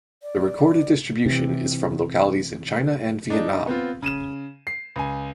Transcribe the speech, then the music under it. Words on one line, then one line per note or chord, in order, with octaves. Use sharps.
The recorded distribution is from localities in China and Vietnam.
D5
C3 E3
D4 D#4
B3 C4 F4
C#3 D#7 E7
C7
C#2 G#5